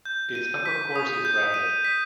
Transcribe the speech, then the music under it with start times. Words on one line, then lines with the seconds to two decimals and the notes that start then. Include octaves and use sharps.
Its upper course is rapid.
0.05 G6
0.35 D#7
0.66 B6
0.96 D#6
1.25 G6
1.54 D#7
1.84 B6